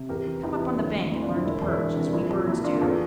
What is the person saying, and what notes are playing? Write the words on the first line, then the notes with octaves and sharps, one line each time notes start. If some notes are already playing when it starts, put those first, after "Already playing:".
Come up on the bank and learn to perch, as we birds do.
Already playing: C3
E2 G4 A#4
E3
E2 E4 G4
E4
E3
D4
D2 E4
D2
D2 E4
D4 F4
D2
E4
E1 E4
E2
E4
E1 D4
C3
A#1 E4
A#1
A#3 E4
A#3 D4 F4
E2 F4 A4